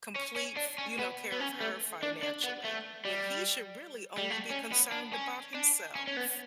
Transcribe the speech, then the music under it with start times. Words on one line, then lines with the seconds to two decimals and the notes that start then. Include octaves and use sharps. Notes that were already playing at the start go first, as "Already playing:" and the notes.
complete f you know, care of her financially, when he should really only be concerned about himself.
0.16 C#4
0.36 C#4
0.57 D4
0.78 C#4
0.99 B3
1.32 B3
1.40 C#4
1.61 A3
2.03 D4
2.23 D4
2.44 B3
2.64 A3
3.05 G3
4.18 G3
4.31 A3
4.50 C#4
4.72 B3
4.92 D4
5.13 C#4
5.54 D4
5.95 C#4
6.07 C#4
6.17 B3